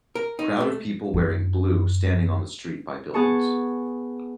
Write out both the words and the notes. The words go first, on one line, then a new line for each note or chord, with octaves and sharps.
Crowd of people wearing blue standing on the street by buildings.
A#4
D#4
A3
F#2 F4
B3 G#4 A5 C#6